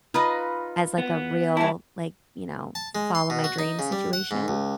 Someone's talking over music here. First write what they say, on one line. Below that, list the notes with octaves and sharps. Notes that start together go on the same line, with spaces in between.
as, like, a real, like, you know, follow my dream situation?
D#4 F4 B4 D#5 B5 D#6
B3
G2 E4 G#5 A5
A5
G#3
C6
B2
F#4
D#4
C#3
G3
F#5
G#2
C#2